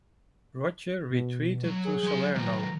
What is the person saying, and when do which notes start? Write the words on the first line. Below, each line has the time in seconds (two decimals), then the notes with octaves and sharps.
Roger retreated to Salerno.
1.10 B2
1.64 F#3
1.85 G#4
2.03 F#3 C6
2.34 D#3 F#3 A#5